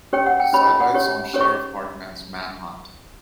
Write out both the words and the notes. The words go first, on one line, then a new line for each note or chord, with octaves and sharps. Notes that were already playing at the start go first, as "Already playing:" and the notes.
Sidelights on Sheriff Hartman's manhunt.
C#4 G4 C#5 G5
F#5
G5
C#4 G4 C#5 B5
A5
F#5
C#4 G4 C#5
C#4 G4 C#5
C#6